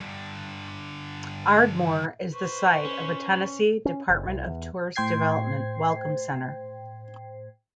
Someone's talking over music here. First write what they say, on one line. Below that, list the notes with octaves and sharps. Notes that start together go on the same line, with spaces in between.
Ardmore is the site of a Tennessee Department of Tourist Development Welcome Center.
G2 D3
B4 C5 C#6
C#4
C#4
F#1
C2
E2
A2 C5 G5 G#6 C7